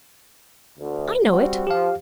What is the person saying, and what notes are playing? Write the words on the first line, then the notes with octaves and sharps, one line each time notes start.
"I know it."
D2
G3 C4 F#4
F3 G4 F5